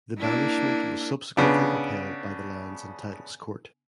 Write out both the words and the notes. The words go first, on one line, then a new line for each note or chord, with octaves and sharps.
The banishment was subsequently upheld by the lands and Titles Court.
A#3 D4 E4
C#3 B3 D4